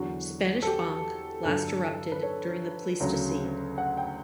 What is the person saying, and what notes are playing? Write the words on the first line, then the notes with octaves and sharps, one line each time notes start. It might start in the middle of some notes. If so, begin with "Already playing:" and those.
Spanish Bonk last erupted during the Pleistocene.
Already playing: E2 D3 F#3 F#4
A4
G4
G2 D3 F#3 A4
B4
C#5
D2 C#3 F#3
F#5
G5